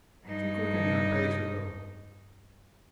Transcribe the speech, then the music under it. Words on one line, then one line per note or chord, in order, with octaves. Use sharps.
She quickened her pace a little.
G2 D#4